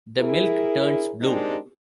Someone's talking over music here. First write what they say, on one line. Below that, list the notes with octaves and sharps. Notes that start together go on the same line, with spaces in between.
The milk turns blue!
E4 G#4 A#4
G#3 C4 D4 D#4 G4 A#4